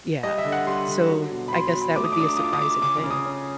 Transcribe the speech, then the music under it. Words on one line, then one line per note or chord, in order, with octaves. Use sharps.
Yeah, so I guess that would be a surprising thing.
G3 D#5
E5
D3
F#5
G3 C6
D3
F#3
B2
B5
F#3 C6
B5
F#3
B5
A3 D6
D#6
D6
D4 D#6
D6
F4 D#6
D6
D#6
F4 D6
C#3 D6
D6
C#3
D#6
C#4